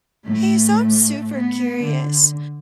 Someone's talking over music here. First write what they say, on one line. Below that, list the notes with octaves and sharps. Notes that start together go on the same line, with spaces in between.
Hey, so I'm super curious.
A2 A3
B3
D3